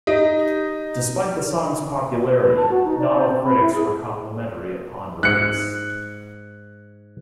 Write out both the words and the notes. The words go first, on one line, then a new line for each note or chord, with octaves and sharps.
Despite the song's popularity, not all critics were complimentary upon release.
D#4 G4
B4
A5
F#4
D#4
D5
C5
C4
B5
E4
G#4
G#2 F#6 C#7